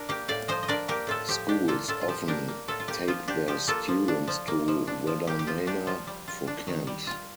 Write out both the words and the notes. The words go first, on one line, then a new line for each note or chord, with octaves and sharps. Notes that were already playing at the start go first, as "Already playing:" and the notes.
Schools often take their students to Waddamana for camps.
Already playing: D4 A#4
A#3 G4
A2 D5 F5
F3 C5 D#5
D#5
D4 A#4 D5
A#3 G4 A#4
A2 F4 A4
F3 G4
D4 G4
A#3 F4 A4
A2 F4 A4
F4
F3 G4
D4 G4 A#4
A#3
A2 F4 A4
F4
A#3 G4
F3 F4
D4 G4
F3 G4
A#3 F4 A4
F3
D4
F3
A#3
F3
D4
F3
A#3 G4
G4
F3 F4
D4 G4
F3 F4
G3
F4
D4
D#3
G3
F4